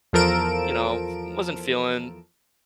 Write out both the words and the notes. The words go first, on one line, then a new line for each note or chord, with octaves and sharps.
you know, wasn't feeling
E2 F3 A4 A#4 D7 E7